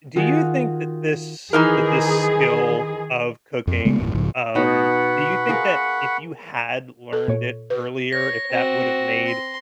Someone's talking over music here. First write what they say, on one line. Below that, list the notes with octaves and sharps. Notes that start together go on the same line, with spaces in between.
do you think that this that this skill of cooking, um do you think that if you had learned it earlier, if that would've made
D#3 F4 F#4 G#4
D#3 E3 D#4 G#4 A#4
F2
C#3 G#3 A3 B3
G1 E2 A2
B1 G#2 C#3 F3
B2 D#4 F#5 B5 C#6
F4 G#4 A#4
A4
A#2 C#5
B4
C#5 A#6
C4 F#4
C6